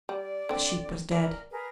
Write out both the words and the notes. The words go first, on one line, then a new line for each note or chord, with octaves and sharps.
The sheep was dead.
G3 D5
D3 C4
A#4 D5
G#4 A#4 B4